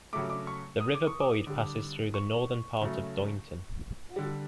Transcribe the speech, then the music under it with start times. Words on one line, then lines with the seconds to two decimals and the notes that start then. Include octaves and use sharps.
The River Boyd passes through the northern part of Doynton.
0.13 C#3 F#3 A3 D6
0.30 D6
0.47 C#6
0.80 D#6
0.94 D6
1.07 C#6
1.20 D6
1.47 D3 G3
2.14 C#6
2.81 C#3 F#3 A3
4.16 D3 G3